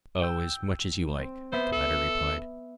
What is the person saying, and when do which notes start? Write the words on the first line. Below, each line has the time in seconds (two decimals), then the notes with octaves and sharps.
"Oh, as much as you like," the latter replied.
0.22 G5 E6
1.19 C4
1.52 B3 C5 E5 B6
1.72 A4